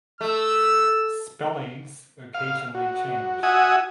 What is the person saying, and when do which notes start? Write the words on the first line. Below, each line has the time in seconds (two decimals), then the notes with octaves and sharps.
Spellings occasionally change.
0.21 A3 E6
2.34 F5
2.75 F#4
3.43 F#4 E5 F#5 G#5 D#6